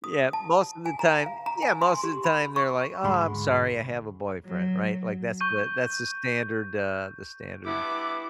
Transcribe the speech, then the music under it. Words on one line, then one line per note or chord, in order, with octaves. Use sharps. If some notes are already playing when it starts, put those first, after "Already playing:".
Yeah, most of the time Yeah, most of the time, they're like, "Aw, I'm sorry, I have a boyfriend," right, like, that's the that's the standard, uh the standard
D#6
A5
G#5
A#5
F5
A#5
G#5
C6
G4
B5
C#6
D2 G#2 G#3 B5 C6
F#3
C#6 G6 D#7
G2 B3 E4 D6